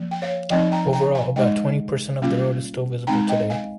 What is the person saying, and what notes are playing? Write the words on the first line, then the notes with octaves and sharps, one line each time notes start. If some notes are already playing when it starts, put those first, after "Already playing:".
Overall, about twenty percent of the road is still visible today.
Already playing: F3 A#3
G5
C#5 F5
F3 C4 D#4 D#5 G5
G5 A#5
G5 A#5
F5 G#5
G#3 D#4 D#5 G5
G3 A#3 C#4 F4
G#3 C4 D#4 G5 A#5
D#5 G5
F5 G#5